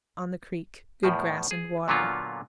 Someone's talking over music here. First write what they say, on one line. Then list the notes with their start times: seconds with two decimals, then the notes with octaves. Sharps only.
On the Creek.--Good grass and water.
1.03 E2 A2 F3
1.51 G#4
1.88 A#2 D3 F#3 A#3 B3 F4